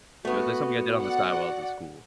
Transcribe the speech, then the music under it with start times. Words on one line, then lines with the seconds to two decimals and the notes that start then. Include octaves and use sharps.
It was just something I did on the sidewalls of school.
0.25 A3 B3 F#4
1.00 D5 F#5